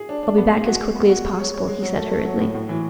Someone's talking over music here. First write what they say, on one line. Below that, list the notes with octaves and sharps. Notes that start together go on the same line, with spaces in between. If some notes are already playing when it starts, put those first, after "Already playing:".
"I'll be back as quickly as possible," he said hurriedly.
Already playing: G#4
D4
D4
B3
G#4
F#4
G#3
B3
F#4
G#3
C#5
C#5
G#3
F#3
A3
A3
F#3
A2
A2
E3